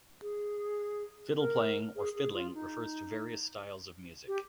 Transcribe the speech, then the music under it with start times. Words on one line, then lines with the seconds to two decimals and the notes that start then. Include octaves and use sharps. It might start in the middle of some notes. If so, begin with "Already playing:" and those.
Fiddle playing, or fiddling, refers to various styles of music.
0.22 G#4
1.37 A#4
1.96 G#4
2.15 G#4
2.34 F4
2.54 D#4
4.27 G4